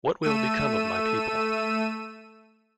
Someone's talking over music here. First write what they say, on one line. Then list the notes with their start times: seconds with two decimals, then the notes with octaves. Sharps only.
What will become of my people?
0.22 A3 E6 D#7